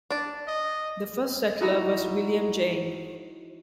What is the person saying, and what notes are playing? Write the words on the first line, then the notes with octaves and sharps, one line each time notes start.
The first settler was William Jayne.
D4 D5
D#5
D#4 E4 F#4 D#5 A#5